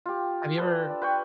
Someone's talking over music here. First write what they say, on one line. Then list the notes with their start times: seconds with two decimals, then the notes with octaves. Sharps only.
Have you ever
0.06 F4 G4
0.58 A4 B4 D5
0.90 D4
1.02 B4 G5 C#6